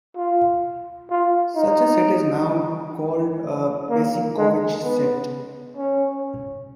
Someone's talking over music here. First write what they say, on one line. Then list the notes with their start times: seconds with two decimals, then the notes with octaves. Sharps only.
Such a set is now called a Besicovitch set.
0.16 F4
1.11 F4
1.56 D#4
3.90 A#3
4.37 G#3
4.83 B3
5.77 C#4